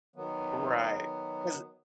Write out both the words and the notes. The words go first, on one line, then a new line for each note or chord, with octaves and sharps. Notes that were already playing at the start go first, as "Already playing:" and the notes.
Right. 'Cause
D#3 F#3 B3